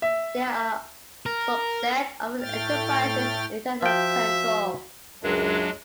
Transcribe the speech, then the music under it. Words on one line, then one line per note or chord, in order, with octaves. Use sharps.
They are a subset of an enterprise's internal control.
E5
A#4
A2 A3 G5 F6 A6
F3 F#4 E5 F5 G5
C#2 F#2 F#3 G#3 D4